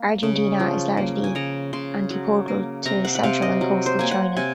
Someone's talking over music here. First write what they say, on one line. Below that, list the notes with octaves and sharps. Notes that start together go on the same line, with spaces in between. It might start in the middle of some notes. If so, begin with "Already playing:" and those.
Argentina is largely antipodal to central and coastal China.
Already playing: A#3
C#3
F3
A#3
G#5
C#3 A#5
C#3 C6
F#3
A#3
C3 A#5
F#5
F#5
C3 F5
D#5
F#3
C5
A#3 G#5
F#5
C3 G#5